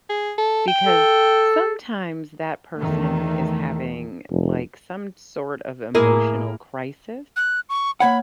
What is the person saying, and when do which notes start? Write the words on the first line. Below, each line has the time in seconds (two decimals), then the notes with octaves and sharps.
because sometimes that person is having, like, some sort of emotional crisis,
0.09 G#4
0.38 A4
0.68 G5
0.86 A4
2.79 E2 D#3 A3
4.31 F1
5.95 A2 A#3 E4 G#4 A#4
7.36 F#6
7.69 C#6
8.00 A#3 C#5 F#5 B5